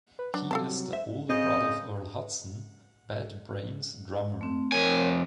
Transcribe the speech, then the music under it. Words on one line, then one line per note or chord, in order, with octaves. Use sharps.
He is the older brother of Earl Hudson, Bad Brains' drummer.
B4
F#3 D4
C2 C3 A4 F5 A5
C5 E5
C#3 C4 D#5 G6
A3 C4
F2 A#4 C#5 G#5